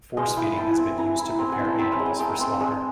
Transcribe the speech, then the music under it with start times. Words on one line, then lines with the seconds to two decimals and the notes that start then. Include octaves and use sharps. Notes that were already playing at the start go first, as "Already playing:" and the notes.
Force-feeding has been used to prepare animals for slaughter.
0.17 G#3 D#5 F5
0.37 E4 F5 G5
0.57 E4 G5 A5
0.70 F#5 G#5
0.77 C4
0.98 E4 G#5 A#5
1.19 E4
1.38 C4 G#5 A#5
1.52 F#5 G#5
1.59 E4
1.65 G5 A5
1.79 C4 A5 B5
1.92 G#5 A#5
1.99 G#3
2.06 F#5 G#5
2.19 G#3 G5 A5
2.39 C4
2.60 G#3